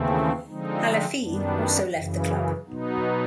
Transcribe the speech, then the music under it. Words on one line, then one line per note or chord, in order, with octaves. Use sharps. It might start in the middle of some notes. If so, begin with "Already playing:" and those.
Halafihi also left the club.
Already playing: D#2 C#3 E3 A3 C4
D3 F3 G#3 C4 D#4
F#2 D#3 G3 B3 D4
F#2 C#3 E3
B2 F#3 B3 D#4